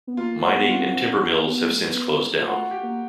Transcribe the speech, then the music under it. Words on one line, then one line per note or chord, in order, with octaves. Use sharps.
Mining and timber mills have since closed down.
B3
A#3 F4
A3
F#4
B3
F4
C4
C4
B3
A#3
B3
A3
B3
B3
A#3
F4
A3 F#4
G4
A#3